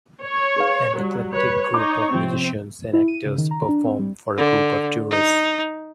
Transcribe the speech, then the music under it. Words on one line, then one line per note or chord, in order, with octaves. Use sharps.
An eclectic group of musicians and actors perform for a group of tourists.
C#5
G#4 B4 F5
F#3 G3
B4 C#5
D#4 C#5 D6
C3 F3 C4
E4
D#7
C#3
D#3
A#5
D4
C4
G3
D3
D#4